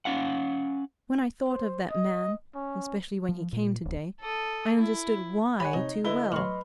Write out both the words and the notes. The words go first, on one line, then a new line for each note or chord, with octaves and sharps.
When I thought of that man--especially when he came today--I understood WHY too well.
C#4 F5 F#5
C5
D#5
C#4
F3
A#2
D1
A4 D#6
E4
G4 C#5 F#5 G#5 B5
C3 D#4
D3 E4 B4 D#5 G7
A2 F#3 C6 C#6 F6